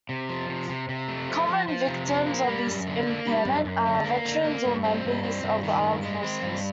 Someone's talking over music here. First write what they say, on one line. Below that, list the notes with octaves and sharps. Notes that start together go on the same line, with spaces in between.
Common victims of this impairment are veterans or members of the armed forces.
C3
F3
C3
C3
C3
A3
F3
F3
F3
C3
F3
A#3
G3
F#2
D3
A#3
G3
F#2
F#2
D3
A#3
D3
A#3
G2
C4
G2
C4
G2
D#3
G2
G#3
C4
G2